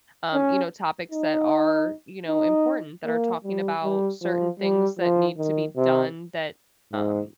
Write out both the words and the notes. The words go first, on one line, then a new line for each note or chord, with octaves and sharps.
um, you know, topics that are, you know, important, that are talking about certain things that need to be done that, um,
C#4
D#4
D#4
A#3
G3
G3
F3
G3
F3
D#3
C3
G#2